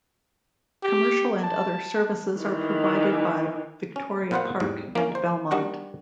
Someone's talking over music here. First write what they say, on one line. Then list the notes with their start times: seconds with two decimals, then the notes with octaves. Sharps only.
Commercial and other services are provided by Victoria Park and Belmont.
0.83 G4
1.43 A5
2.39 D#3 E3
3.96 C#4
4.31 A#2 B3 F4 B4 C5 F#5
4.60 E2 G#2 G3
4.95 A#3 C#4
5.15 C5
5.51 G3 D4 F#4 A#4 F#5